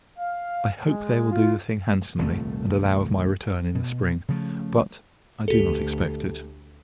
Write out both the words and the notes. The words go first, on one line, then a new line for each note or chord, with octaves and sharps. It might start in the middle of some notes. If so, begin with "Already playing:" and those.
I hope they will do the thing, handsomely, and allow of my return in the spring; but, I do not expect it.
F5
G#3
F4
D#1 C2 F2 A3
B2
C#3 F3 A3
D2 G4 A4